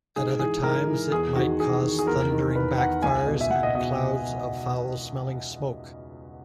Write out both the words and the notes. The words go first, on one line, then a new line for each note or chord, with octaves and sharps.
At other times it might cause thundering backfires and clouds of foul-smelling smoke.
G#2 G#4
E3 G#4
G#2 A#4
E3
E2 G#4
D#3 F#4
E2 G#4
D#3
G#4
E2 A#4
D#3
E2 B4
D#3 F#5
C#2 G#5
B2
E5
C#2 F#5
D#5
B2 D#5